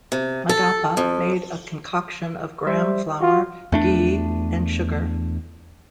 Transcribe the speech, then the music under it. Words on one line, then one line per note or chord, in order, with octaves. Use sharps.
Madappa made a concoction of gram flour, ghee and sugar.
C3
A4
F2
G3 C5 E5
F4 F#4
E2 A3 D4